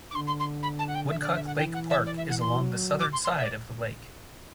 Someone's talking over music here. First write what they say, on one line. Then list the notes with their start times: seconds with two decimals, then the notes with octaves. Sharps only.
Woodcock Lake Park is along the southern side of the lake.
0.11 D6
0.15 D3 C6
0.27 C6
0.39 C6
0.63 B5
0.79 A5
0.88 F#5
0.95 G5
1.10 D3 E5
1.22 D5
1.34 E5
1.47 F#5
1.58 E3 G5
1.74 F#5
1.90 E5
2.06 D5
2.17 E5
2.29 F#5
2.41 C6
2.53 F#3
3.00 D6
3.13 C6
3.24 C6
3.36 E5
3.44 D5